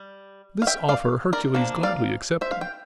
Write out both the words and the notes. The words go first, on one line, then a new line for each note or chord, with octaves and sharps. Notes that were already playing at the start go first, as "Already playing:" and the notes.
This offer Hercules gladly accepted.
Already playing: G3
F5
E5 G5
D5 F5
A#4 D5
F3 A#3 D4
D5 F5
C5 E5
F5
G5